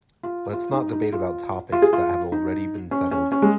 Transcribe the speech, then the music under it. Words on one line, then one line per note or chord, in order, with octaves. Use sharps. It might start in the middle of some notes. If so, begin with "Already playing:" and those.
Let's not debate about topics that have already been settled.
F4
F4
D#4
D#4
F4
F4
G#4
F4
D#4
C#4
C#4
C#4
G#3